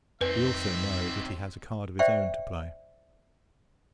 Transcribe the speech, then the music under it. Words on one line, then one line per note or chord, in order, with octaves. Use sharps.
We also know, that he has a card of his own to play.
F2 C4 D#4 B4 E5
C5 D5 E5 F5 G5 C#6